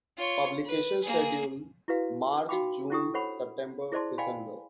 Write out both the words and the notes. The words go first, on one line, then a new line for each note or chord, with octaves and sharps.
Publication schedule March, June, September, December.
F4 C#5
B4
A#3 G#4
E4 F#4 B4 F5
D#4 F#4 F5 G5 B5 D6
C#4 D4 E4 G4 A4 D#6
A4 C5 C#5 F#5 B5
E4 G#4 C5 D5 A5 C6
D5 F5 G5 G#5 B5